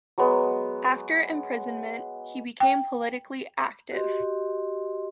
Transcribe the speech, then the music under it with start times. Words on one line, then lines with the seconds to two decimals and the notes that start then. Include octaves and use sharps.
After imprisonment he became politically active.
0.18 F#3 G#3 B3
2.60 G5
3.91 F#4 G4 D#5 C6